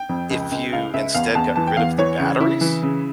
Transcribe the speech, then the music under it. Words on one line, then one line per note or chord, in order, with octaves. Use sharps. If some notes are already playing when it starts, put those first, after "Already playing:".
if you instead got rid of the batteries,
Already playing: G5
F2
C#2
C#2
C#2 F5
C#2 E5
E2 F5
E2 A5
E3 A5
G5
E2 F5
E3 C#5
C#3
C#3 E4
E3
C#3